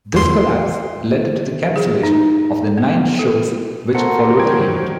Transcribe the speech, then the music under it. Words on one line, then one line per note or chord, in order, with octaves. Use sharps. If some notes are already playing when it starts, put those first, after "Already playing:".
This collapse led to the cancellation of the nine shows which followed the event.
E2 C6
G#4
D#4
B3
A4
A3 A4 A#4 C5 F#5
D#3 F#3 G5 G#6